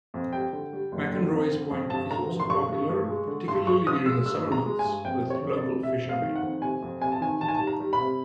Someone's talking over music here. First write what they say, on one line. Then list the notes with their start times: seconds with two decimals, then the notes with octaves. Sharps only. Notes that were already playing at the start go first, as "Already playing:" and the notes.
McInroy's Point is also popular, particularly during the summer months, with local fishermen.
0.14 F2
0.33 G3 G5
0.53 D3
0.73 G3
0.92 F#1
1.12 D3
1.31 F2
1.51 D3
1.71 F2
1.90 G2 A5
2.11 D3 A#5
2.29 F3
2.40 C6
2.50 G2 C#6
2.69 G2
2.89 G2
3.09 G#3
3.28 D3
3.48 G2 C6
3.67 G#3 C#6
3.87 F3 D#6
4.06 G#3 E6
4.26 G2 E6
4.46 G#3
4.52 A#5
4.66 G#3
4.79 G#5
4.85 G2
5.04 F2 G5
5.24 C3
5.30 C#5
5.43 F2
5.57 D5
5.64 C3
5.83 C3 E5
6.03 F2
6.09 F5
6.22 D#3
6.36 F#5
6.42 F2
6.61 C3 G#5
6.82 F2
7.01 C3 G#5
7.12 A5
7.21 D#3 G#5
7.41 D#3 A5
7.48 G#5
7.54 A5
7.60 G3
7.67 A#5
7.80 G3
7.93 B5
8.00 C3